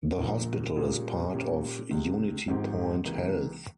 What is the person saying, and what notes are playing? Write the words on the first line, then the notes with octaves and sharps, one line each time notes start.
The hospital is part of UnityPoint Health.
A#1 A#2 F3
A#2 G3 C#4 F4 G#4
A#2 G3 C#4 G4
C#2 C3 G3
G#1 G#2 F3 C4 G4
C#2 C3 E3 A#3